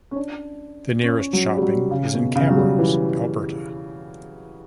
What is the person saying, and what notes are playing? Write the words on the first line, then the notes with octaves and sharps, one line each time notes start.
The nearest shopping is in Camrose, Alberta.
C#4
D4
C#4
F#3
G3
F#3
C#3
B2
C#3
F#3
G3
E3